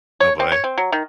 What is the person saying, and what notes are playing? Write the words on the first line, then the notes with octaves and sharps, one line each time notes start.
Oh, boy.
C#5
C4
C#5
C4
F#3
D#3